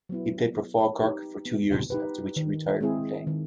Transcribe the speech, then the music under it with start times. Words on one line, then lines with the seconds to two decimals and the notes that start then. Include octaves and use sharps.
He played for Falkirk for two years, after which he retired from playing.
0.09 F#3 B3 E4
0.55 B3
1.00 D#4 G4 B4
1.46 B3
1.90 D#4 G4 B4
2.36 D#3
2.81 G#3 C4 E4 G#4
3.27 D#3